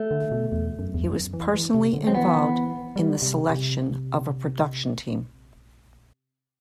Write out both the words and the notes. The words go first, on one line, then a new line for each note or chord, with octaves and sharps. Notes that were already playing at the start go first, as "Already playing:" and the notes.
He was personally involved in the selection of a production team.
Already playing: A3
D3
B2
E2
F#2
E2
F#2
E3
E3
C3
D3
F#3 C4
E3 B3
G3
C3
C3